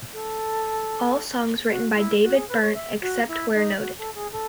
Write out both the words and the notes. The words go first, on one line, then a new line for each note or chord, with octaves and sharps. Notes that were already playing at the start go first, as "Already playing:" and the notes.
All songs written by David Byrne except where noted.
A4
F#4
E4
F#4
G#4
B4
C#5
E5
F#4
E4
D#4
F#4
A4
G#4
A4